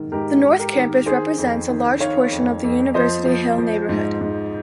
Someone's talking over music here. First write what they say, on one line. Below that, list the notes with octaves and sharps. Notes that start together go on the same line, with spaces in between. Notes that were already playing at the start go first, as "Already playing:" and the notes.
The North Campus represents a large portion of the University Hill neighborhood.
Already playing: G#2 D#3
G#2 G4 A#4
G#2
G4 A#4
D#3
D#3 G#4 C5
F2
D#3
D#3 C#5 F5
F2
F2
F3 C5 D#5
F3
F3
G#2
G#2